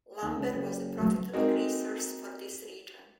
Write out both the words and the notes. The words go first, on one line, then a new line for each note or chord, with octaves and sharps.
Lumber was a profitable resource for this region.
D#2
C#2
F#1
F#3 A3 F#4
G#3 A#3 C4 D#4 F#4